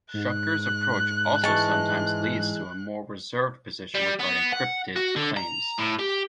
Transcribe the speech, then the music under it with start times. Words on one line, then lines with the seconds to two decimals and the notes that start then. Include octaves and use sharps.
Shuker's approach also sometimes leads to a more reserved position regarding cryptid claims.
0.14 G#2 F#6
1.44 E3 G#3 A5 C#6
3.95 G3
4.19 B3
4.52 F#5
4.96 F#4
5.16 D3
5.37 A#5
5.78 A2
5.99 G4